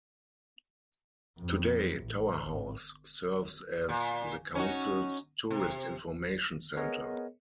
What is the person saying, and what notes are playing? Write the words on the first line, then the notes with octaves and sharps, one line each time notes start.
Today, Tower House serves as the Council's Tourist Information Centre.
F2
A1
G#1
A#2
C#4 D#4 F#4
C3
B3 G#4 A#4 C#5 D#5